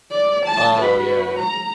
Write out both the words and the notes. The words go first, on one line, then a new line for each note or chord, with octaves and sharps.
Oh, yeah.
D5
A5
F#4 B4
A#5